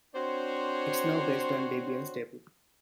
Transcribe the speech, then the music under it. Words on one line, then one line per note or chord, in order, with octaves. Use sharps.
It's now based on Debian Stable.
C4 D4 F#4 C5 C#5